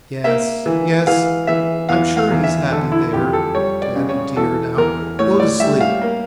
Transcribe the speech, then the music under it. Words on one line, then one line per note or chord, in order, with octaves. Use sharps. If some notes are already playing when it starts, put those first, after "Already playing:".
"Yes, yes, I'm sure he's happy there, Taddie dear; now go to sleep."
A#3 E5
E3
E3 F5
E3 E5
E2 F5
F5
E2
E5
D3 A4
E4
F2 G4
A4
G3 C#5
D5
C#3
C#5
E2 A4
E2 A#4
A2 C#5
D5
G3 E5
F5
A#3